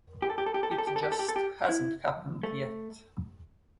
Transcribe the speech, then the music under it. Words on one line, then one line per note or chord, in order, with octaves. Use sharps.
It just hasn't happened yet.
G4
A4
G4
A4
G4
A4
G4
A4
G4
A4
G4
A4
G4
A4
G4
E4
A3